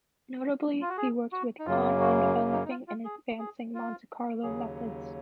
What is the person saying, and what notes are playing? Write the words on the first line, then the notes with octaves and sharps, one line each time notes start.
Notably, he worked with Kahn on developing and advancing Monte Carlo methods.
F4
F#4
G#4
F#4
D#4
F#2 C#3 F#3 A#3 F4
F#4
D#4
D#4
D#4
F4
F4
G#4
G#4
F4
D#2 C#3 F#3 G#4